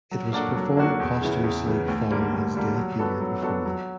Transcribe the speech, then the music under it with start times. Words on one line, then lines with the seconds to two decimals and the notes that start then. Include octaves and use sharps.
It was performed posthumously following his death the year before.
0.11 F#3
0.33 A#3 D4 F#4 A4
0.56 F#3
0.77 A#3 D4 F#4 A4
1.00 E2
1.22 C#3 E3
1.44 E2
1.67 C#3 E3
1.88 D2
2.10 D3 G3 A#3
2.33 D2
2.55 D3 G3 A#3
2.76 F#3
2.99 B3 D4 F#4 A4
3.21 F#3
3.43 B3 D4 F#4 A4
3.65 F#3